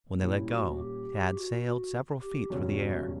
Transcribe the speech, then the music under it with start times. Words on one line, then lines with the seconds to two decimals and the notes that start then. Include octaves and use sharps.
When they let go, Tad sailed several feet through the air.
0.22 A#2 G3 C#4 E4
0.51 F#4
0.79 G4
1.37 F#4
2.22 G4
2.50 E1 E2 C#3 G3 C#4 F#4